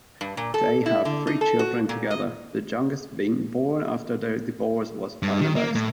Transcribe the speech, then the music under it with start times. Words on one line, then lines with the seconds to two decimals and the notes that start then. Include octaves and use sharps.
They have three children together, the youngest being born after their divorce was finalized.
0.21 G2
0.37 A#2
0.54 A4
0.86 E4
1.05 D3
1.27 D#4
1.41 A4
1.59 F#4
1.89 A#2
2.11 D#5
5.23 G2
5.42 D#3
5.56 A#3
5.75 A2